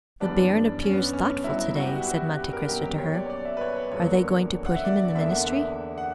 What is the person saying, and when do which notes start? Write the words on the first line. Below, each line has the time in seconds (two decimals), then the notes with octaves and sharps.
"The baron appears thoughtful to-day," said Monte Cristo to her; "are they going to put him in the ministry?"
0.20 F#2 E3 G3 B3 D4
0.82 C#4
0.93 B3
1.13 C#4
1.44 G2 F#3 B3 E4
1.75 F#4
1.86 G4
1.96 F#4
2.07 F#4
2.37 G4
2.53 A#4
2.69 B2 F#3 A#3 G4
2.83 G4
2.98 C#5
3.14 D5
3.26 C#5
3.30 D5
3.45 E5
3.57 B4
3.61 C#5
3.92 E2 D3 F#3 A#3 C#5
4.66 F#5
4.76 E5
4.85 D5
5.15 E2 D3 A#3 E5
5.31 F#5
5.46 E5
5.98 F#5